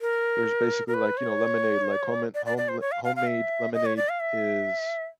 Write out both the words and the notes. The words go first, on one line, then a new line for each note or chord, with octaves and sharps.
there's basically, like, you know, lemonade, like home me home le homemade lemonade is
A#4
A#4
B4
C#5
D5
D5
D5
C5
C#5
F5
F5
F5
E5
D#5
C#5
D5
F5
E5